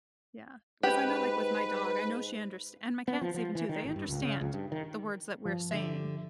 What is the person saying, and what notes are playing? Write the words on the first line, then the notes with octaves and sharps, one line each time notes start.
yeah, 'cause I know, like, my dog, I know she underst and my cats even, too, they understand the words that we're saying,
G#2 G4 B4
B3
F3
F3
E3
D#3
A1
G2
C#2
C#3
C#2
G2
D#3
G2 F3
D3 G4 E5